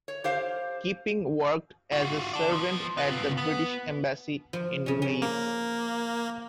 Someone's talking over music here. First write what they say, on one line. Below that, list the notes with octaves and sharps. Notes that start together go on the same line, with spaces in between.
Keeping worked as a servant at the British Embassy in Greece.
C#5
G4 C5 F5
F4 F#4
A4 D5
F3 B3
B3 F4
B3
F3
C#3 C#4
C#4
A#3